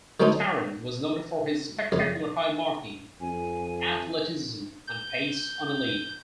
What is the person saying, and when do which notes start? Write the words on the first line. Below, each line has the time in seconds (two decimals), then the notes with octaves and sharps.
Tarrant was noted for his spectacular high marking, athleticism and pace on a lead.
0.20 D3 F#3 A3 C4 C#4 D#4
1.92 F2 C#3
3.21 F2 G#5
4.87 G6